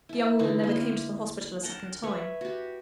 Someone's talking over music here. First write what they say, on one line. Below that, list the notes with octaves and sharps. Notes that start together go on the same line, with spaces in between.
The young woman never came to the hospital a second time.
E4 A5
D3 E3 D#4 E4
A#3 C6
A#4 F#5 G5 A5
B4 C#5 E5
F#4 G4